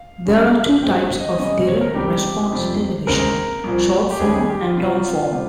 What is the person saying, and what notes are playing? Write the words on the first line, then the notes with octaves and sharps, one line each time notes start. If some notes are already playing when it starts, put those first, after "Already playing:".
There are two types of direct response television, short form and long form.
Already playing: F5
D#2 C#3 G3 C#4
G2 F3 G#3 C4 G5
D#5
C3 G3 C#4 D#5
D#5
C#5
A#4
C#2 C3 D#3 G3 G4
F2 C3 G3
D#2 C#3 G#3 C4 A#4
C2 A#2 F3
G4
D#2 D#3 G3 C#4 G#4
G#4
G4
F4
C3 G3 C4 F4
C3 G3